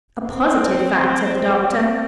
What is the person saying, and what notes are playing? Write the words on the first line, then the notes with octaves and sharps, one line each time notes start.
"A positive fact," said the Doctor.
C4